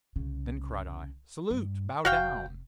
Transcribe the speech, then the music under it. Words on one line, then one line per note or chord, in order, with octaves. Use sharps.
Then cried I, "Salute! Bow down!"
C2 C#3
G2
F1 F#4 F5 G5